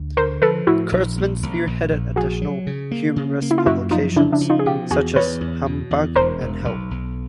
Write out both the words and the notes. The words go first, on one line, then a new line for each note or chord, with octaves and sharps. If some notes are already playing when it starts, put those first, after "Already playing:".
Kurtzman spearheaded additional humorous publications such as "Humbug" and "Help!".
Already playing: D2
D3 A#4 C5
F3 A4 B4
A2 E4 F#4
A#1
A#1
A#1
A#1
A#1
A#1 F#4 G#4
F#3
C#3
A#3
C#3
A#3
E4
F4
F#2 E4 F#4
F3 D#4 F4
C#3 D4 E4
D4 E4
F3
D#4 F4
G#4
B2 F4 G4
E2 F#4 G#4
E2 B4 C#5
E2
B2
E2
E1 A#4 C5
E1
B1
B1